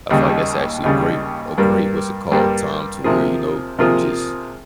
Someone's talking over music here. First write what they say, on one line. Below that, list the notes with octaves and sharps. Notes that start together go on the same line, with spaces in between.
I feel like that's actually a great a great, what's it called, time to where, you know, you just
D#2 C#3 G3
D#2 C#3 G3
G2 G3 A#3
G2 G3 A#3
C3 F3 A#3 F4 G#4
C3 F3 A#3 F4 G#4